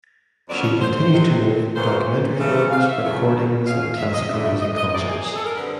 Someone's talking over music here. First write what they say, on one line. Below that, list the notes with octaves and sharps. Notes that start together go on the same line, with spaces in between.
She continues to narrate documentary films, recordings, and classical music concerts.
F2 D3 F#3 A#3 C#4 D5
C#5
C5
C5
C3 D#3 F#3
A#2 F#3 B3 C5
C#3 E3 A3
F5
E5
E2 C#3 F3 A3
B2 G#3 C#4 F5
F5
E5
D#5
D2 C3 F3 A3 D4 E5
E5
D#5
D#5
E2 C3 F3 A#3 D5
G#4
G#4
A4
A#4
D3 G3 C4 B4